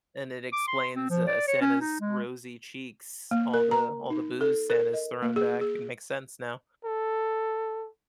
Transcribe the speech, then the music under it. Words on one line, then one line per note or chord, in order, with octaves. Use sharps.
and it explains, uh, Santa's rosy cheeks, all the all the booze Santa's thrown back, it makes sense now.
D6
C6
C4
F3
D5
C#5
C#4
D#4
G#3
A#3
A#4
A#5
D#4
A4
A#4
D#5
A#3
G#4
G#4
A4